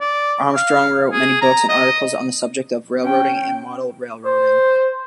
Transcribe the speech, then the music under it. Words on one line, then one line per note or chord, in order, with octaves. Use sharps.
Armstrong wrote many books and articles on the subject of railroading and model railroading.
D5
F5
G#4
A#5
D#5
C#4 G5
C5